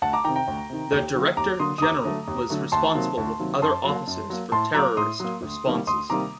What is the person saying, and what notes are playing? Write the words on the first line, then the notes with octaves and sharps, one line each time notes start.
The Director General was responsible with other officers for terrorist responses.
D2 F#5 A5
A#5 D6
C3 D#3 G5 A#5
G5 A#5
D2
C3 D#3
D#2
D3 F#3 A#3
D#2 A#5 D6
D3 F#3 A#3 C6 D#6
D#6
D#2 A#5 D6
D3 F#3 A3
D#2
D3 F#3 A3
D2 A5 C6
C3 D#3 F#3 A#3
D2
C3 D#3 F#3 A#3
F#2 A5 C6
F#3 A#3
F#2
F#3 A#3
A2 A5 C6
F#3 A#3 A#5 D6
A2 C6 D#6
F#3 A#3
D2
C3 D#3 G3 A#3
D2 C6 D#6
C3 D#3 G3 A#3 A#5 D6